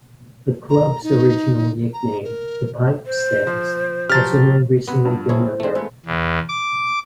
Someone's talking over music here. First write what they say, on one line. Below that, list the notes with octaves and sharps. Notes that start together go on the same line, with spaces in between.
The club's original nickname, The Pipe Stems, has only recently been unearthed.
A#5
D#4
A#5
A#4
C5
F3
F3 F#3 G4 F6 A6
F#2 C3 F#3 B3 B4
G2 F3
C4 E4 G#4 C#5
E3 A3 C4 D4 A4 C5
G#3 A3 B3 E4
E2
D6